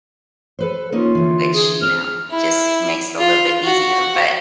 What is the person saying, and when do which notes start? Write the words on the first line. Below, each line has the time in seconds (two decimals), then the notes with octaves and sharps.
which, you know, just makes it a little bit easier, but,
0.59 A4 B4 C5
0.92 A#3 C#4 D#4 F4
1.15 D3 E3
1.54 G#4
1.82 C4 F6
2.31 E4
3.19 F4
3.64 F#4